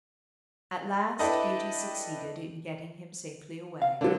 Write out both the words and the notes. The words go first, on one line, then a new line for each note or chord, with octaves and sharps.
At last Beauty succeeded in getting him safely away.
D4 E4 G4 A4 B4 D#5
F5
D3 F#3